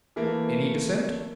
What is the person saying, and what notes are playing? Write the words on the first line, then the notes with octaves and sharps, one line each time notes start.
Any dissent?
E3 A3 A#3